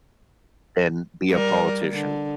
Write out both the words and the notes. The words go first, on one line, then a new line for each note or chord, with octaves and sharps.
than be a politician.
G3 A#4
D3